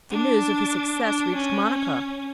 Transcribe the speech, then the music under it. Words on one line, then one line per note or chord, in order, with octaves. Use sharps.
The news of his success reached Monica.
D4
D4
C#4